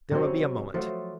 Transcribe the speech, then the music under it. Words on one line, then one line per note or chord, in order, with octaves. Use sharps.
There will be a moment!
C3 F#3 G#3 C4 C#4
F3 F#3 A3